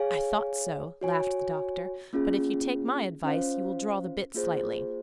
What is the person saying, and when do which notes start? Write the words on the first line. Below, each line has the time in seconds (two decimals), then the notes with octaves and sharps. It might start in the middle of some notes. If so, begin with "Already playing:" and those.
"I thought so," laughed the doctor; "but if you take my advice, you will draw the bit slightly."
Already playing: G#4 C#5 F5 G#5
1.01 F#4 C#5 G#5
2.13 A#3 C#4 F4 G#4
3.23 C#4 F4 C5 F5
4.35 A#3 F4 G#4 C5